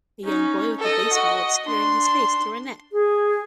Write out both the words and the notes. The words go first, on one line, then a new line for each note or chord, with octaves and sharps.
A young boy with a baseball obscuring his face through a net.
C#4 D#4
A4 D#5
F#4 D#5
D4 C6
G#4